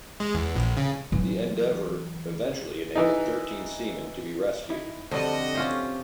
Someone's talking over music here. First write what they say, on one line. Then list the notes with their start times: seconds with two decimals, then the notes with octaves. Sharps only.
The endeavour eventually enabled thirteen seamen to be rescued.
0.20 G#3
0.34 E2
0.55 A#1
0.77 C#3
1.12 E3 F#3
2.95 E3 D#4
4.70 D#4 E4
5.11 F2 D3 G3 F#4 C5 D5 D#5 A5
5.55 C3 C#4 F4 G4